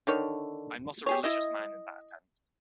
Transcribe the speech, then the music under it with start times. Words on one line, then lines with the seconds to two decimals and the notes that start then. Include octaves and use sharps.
I'm not a religious man in that sense.
0.07 D3 D#3 C#5
1.06 G4 G#4 C#5
1.24 E4 D#5